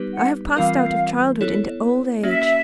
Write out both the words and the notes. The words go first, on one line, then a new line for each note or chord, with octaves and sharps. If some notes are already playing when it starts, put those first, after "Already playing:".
I have passed out of childhood into old age.
Already playing: G3 B3 D#4 G4 B4
F#5
E3 G3 C4 F4 A#4 F5
B3 E4 A4 C#5
A#3 C#4 F#4 E5